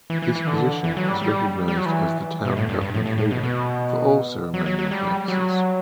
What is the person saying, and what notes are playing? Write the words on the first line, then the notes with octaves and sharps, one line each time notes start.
This position is recognized as the Town government leader for all ceremonial purposes.
E3
E3
E3
D3
E3
F#3
G3
G3
G3
F#3
E3
B2
A2
G2
G2
A2
A2
A2
B2
B2
F#3
F#3
F#3
G3
F#3